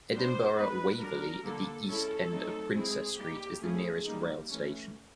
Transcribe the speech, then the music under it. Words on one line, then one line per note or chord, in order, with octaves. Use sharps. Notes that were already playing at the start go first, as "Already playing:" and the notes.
Edinburgh Waverley at the East end of Princes Street is the nearest rail station.
G3 B3 D4 C5
G#3 B3 D#4 B4
F#3 B3 D4 A#4
D3 G3 A#3 D4 A4
G#3 C#4 E4 A4
F#3 A3 C4 D#4
G#3 C4 E4 G#4
G3 A#3 D#4 G4
F3 A3 C#4 E4 G#4
G3 A#3 D#4
E3 A3 C#4